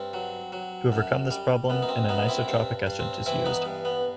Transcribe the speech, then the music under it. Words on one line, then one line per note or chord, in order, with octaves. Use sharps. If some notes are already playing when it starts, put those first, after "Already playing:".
To overcome this problem an anisotropic etchant is used.
Already playing: G2 C4
F#3
F#3
F#2
G3
F#2 B3
D#4
C4
F#2 B3 D#4
C4 E4
G2 C4
G2
C4
E3 C4 E4
B3 D#4
G2
B3